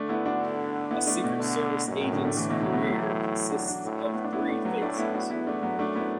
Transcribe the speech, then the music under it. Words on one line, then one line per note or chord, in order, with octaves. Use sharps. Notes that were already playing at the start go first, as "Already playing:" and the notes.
A Secret Service agent's career consists of three phases.
Already playing: D3 A3 D4
B3 E4
D4 F#4
B3 E4
A3 D4
B2
D3
F#2 B2
A2
A2 D3
A3 D4
A2 E3 A3
B2 E3
D3 F#3
B3
A3
F#3
E3 A3
D4 F#4
D4 F#4
A2
A3
B3
D4
A2 B3 E4
A3 D4
F#3 B3
A2 A3 D4
B3 E4
D4 F#4
E2 B3 E4
A3 D4
F#3 B3
F#2 A3 D4
B3 E4